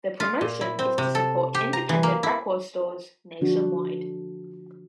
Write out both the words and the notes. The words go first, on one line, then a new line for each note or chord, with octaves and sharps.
The promotion is to support independent record stores nationwide.
F4
A#2
E4
C4
C3
A4
G4
A#5
E3
A#3
E4
D3 F3 D4 F#4